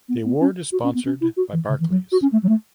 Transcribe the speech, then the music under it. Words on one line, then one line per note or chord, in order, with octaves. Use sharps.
The award is sponsored by Barclays.
B3
B3
C#4
F#4
C#4
B3
C#4
E4
F#4
E3
C#3
E3
F#3
F#4
C#4
A3
F#3
A3